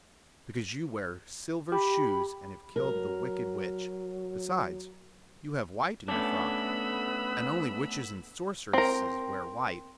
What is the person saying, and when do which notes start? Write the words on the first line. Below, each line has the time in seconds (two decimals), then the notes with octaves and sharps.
"Because you wear silver shoes and have killed the Wicked Witch. Besides, you have white in your frock, and only witches and sorceresses wear white."
1.72 G4 B5
2.76 F#3 A#4
6.08 A3 B3 C#4 D4 B5 E6
8.73 C4 A#4